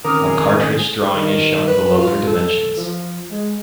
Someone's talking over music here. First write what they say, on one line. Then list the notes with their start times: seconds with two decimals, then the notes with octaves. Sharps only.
A cartridge drawing is shown below for dimensions.
0.05 D#3 C4 C#4 A#4 D6 D#6 F6
0.24 G#4
1.14 D#3
1.68 B4
1.98 F4
2.27 A4
2.77 F3
3.31 G#3